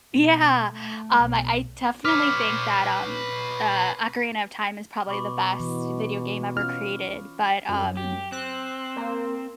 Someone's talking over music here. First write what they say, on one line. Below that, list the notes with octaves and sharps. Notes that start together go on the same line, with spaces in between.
Yeah. Um, I I definitely think that, um, uh, Ocarina of Time is probably the best video game ever created. But, um,
B2
A3
B1
B4 C#5 D6 F6
B2 B5 C#6 D6
E3
C#4 F4 F6
F#2
G4
C4 F#6
A#3